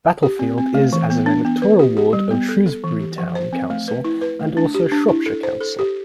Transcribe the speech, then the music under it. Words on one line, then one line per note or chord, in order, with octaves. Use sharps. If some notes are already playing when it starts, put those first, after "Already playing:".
Battlefield is as an electoral ward of Shrewsbury Town Council and also Shropshire Council.
G4
C4
C4
A3
E3
B3
D4
B3
B4
G4
G4
G3
B3
A4
A4
E3
G4
F3
C5
C4
A3
B4
E4
B4
A3
D4
G4
D4
E4
A4
C5
A4
G4